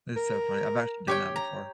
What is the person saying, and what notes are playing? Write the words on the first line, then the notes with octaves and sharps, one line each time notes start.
That's so funny, I've actually done that before.
A#4
G4 C#5 G5
A#5